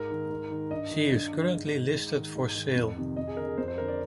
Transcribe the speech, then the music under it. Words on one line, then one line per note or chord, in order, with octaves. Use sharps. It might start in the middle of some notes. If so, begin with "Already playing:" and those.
She is currently listed for sale.
Already playing: G#2 A#4
D#3
G#2
D#3
G2 D#5
D#3
G2
D3
G#2
D#3
G#2
D#3
G#2
D#3
F2
C3 D#3
F2 D#5
G#4
D3 A#4
G#4
F2 C5
C5
D3 A#4
D5